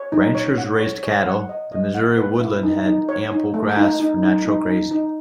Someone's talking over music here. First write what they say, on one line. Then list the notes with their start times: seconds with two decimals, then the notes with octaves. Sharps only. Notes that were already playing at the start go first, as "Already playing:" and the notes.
Ranchers raised cattle; the Missouri woodland had ample grass for natural grazing.
Already playing: C#5
0.12 D#4
0.35 C#5
0.58 F#5
0.80 C#5
1.03 C#5
1.26 F#5
1.49 D#5
1.72 D#5
1.95 F#5
2.18 B4
2.40 E4
2.63 D#4
2.86 D#4
3.09 C#5
3.32 D#4
3.54 A3
3.77 D#4
4.00 D#4
4.23 D#4
4.46 D#4
4.68 D#4
4.91 D#4